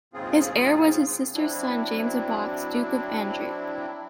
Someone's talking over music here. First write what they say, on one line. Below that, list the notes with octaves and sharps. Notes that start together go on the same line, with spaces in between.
His heir was his sister's son James of Baux, Duke of Andria.
D#2 G#2 C#3 C4 F4 G#4
F#3 C4 D4 E4